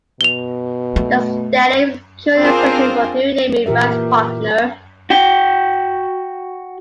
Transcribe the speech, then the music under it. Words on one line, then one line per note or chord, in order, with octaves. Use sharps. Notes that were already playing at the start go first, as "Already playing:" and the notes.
The stadium is currently searching for a new naming rights partner.
B2 F7 G7
A3
C4 D4 F4 G#4 A#4 C5
A#2 E3 G4 A#4 E5
F#4 G5